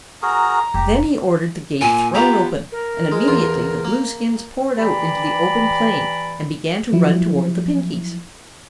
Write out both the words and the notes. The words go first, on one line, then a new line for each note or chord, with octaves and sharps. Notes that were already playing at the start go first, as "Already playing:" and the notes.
Then he ordered the gate thrown open and immediately the Blueskins poured out into the open plain and began to run toward the Pinkies.
F#4 G#4 A#4 A#5
F1 G4
A#2 G#5
B3 F4 G4 A#5
A#4
G#3
E2 F4
A#3
E3 G4 D5 A#5 B5
F3 F#3 E4